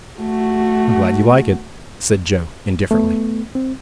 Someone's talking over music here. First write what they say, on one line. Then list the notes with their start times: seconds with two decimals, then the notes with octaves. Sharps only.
"I am glad you like it," said Joe, indifferently.
0.19 A3 F#4
2.91 A3 B3
3.55 C4